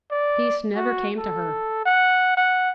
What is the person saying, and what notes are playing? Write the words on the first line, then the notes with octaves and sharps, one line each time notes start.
Peace never came to her.
D5
F#4
A4
F#5
F#5